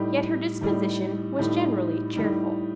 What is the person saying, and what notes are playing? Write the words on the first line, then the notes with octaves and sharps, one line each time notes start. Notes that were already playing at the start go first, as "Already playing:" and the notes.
Yet her disposition was generally cheerful.
Already playing: A2 G3 D#4
A2 G3 D#4
A2 G3 D#4
A2 G3 D#4